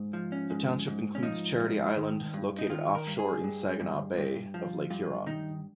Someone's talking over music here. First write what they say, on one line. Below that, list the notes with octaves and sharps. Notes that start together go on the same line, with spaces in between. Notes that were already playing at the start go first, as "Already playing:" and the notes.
The township includes Charity Island, located offshore in Saginaw Bay of Lake Huron.
Already playing: G#2
F3
C#4
G#2
G#2
C#4
F3 D#4
G#2
D#3
G2
D#4
D#3 F4
A#4
G2
G#4
G2
G2
G2
F3
G2 F4
D#3 D#4